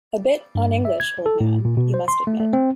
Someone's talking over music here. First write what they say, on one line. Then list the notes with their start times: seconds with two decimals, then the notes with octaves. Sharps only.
A bit un-English, old man, you must admit.
0.55 G2
0.85 E5
1.00 G#6
1.26 A4
1.41 A2
1.65 A#2
1.77 B2
1.94 C5
2.08 C6
2.27 A3
2.40 A3
2.53 C4